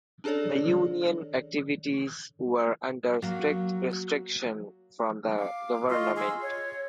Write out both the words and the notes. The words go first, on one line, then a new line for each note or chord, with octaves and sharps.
The union activities were under strict restriction from the government.
C#4 D4 G#4 A4 C#5 D5
F#3 A#3
F5 D6
F4 D#5 C6 C#6
G#4 C6 E6
C#5